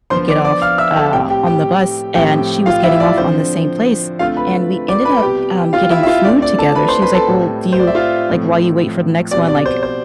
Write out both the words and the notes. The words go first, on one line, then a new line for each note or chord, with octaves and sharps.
to get off, uh, on the bus, and she was getting off on the same place, and we ended up, um, getting food together, she was like, "Well, do you Like, while you wait for the next one, like,
D3 F3 B3 C5 C6
D5 D6
D5 D6
F5 F6
E5 E6
A4 A5
A2 G3 C4 G4 G5
G4 G5
G4 G5
A2 F3 C4 G4 G5
F4 F5
E4 E5
D5
D3 F3 C4 C5
D3 A3 C4 F4 F5
B4 B5
D5 D6
B4 B5
C3 G3 B3 G4 G5
F4 F5
E4 E5
E5
F4 F5
D3 A3 C4 D5
D5
A4 A5
B4 B5
C5 C6
B4 B5
A4 A5
A2 G3 C4
C5
D5
E5
F4 F5
A2 F3 A3 C4
B2 G3 C4 D5
D5
C5
C5